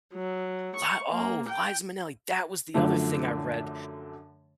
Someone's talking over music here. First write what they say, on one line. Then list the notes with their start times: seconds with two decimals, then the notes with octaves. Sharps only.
wha oh, Liza Minnelli, that was the other thing I read,
0.13 F#3
0.75 C#6
1.10 A#3
1.48 G5
2.74 F#2 D3 F3 A3